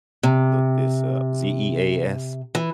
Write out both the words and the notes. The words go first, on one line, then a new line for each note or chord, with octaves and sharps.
look this up. Z-E-A-S?
C3
E3